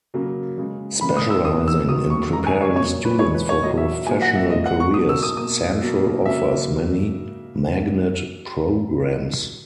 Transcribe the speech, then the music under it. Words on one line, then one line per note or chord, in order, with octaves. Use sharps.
Specializing in preparing students for professional careers, Central offers many magnet programs.
C#3 F#3 A#3
C#3 G#3
C#3 E3 A#3 B5
D#6
E6
B2 A#3 D#6
E6
D#3 F#3 A#3 D#6
C#6
C#3 G#3 A#5
G#5
C#5
A#2 F#3 A#3 C#5
B4
A#2 G#3 C#5
B4
C#5
A#2 F#3 A#3 D#5
E5
A#2 F#3 A#3 G#5
F#5
E5
A#2 G#3 D#5
F#5
C#6
B2 F#3 A#3 D#6
E6
D#6
B2 A#3 D#6
B2 F#3 A#3
C#3 F#3 A#3 E5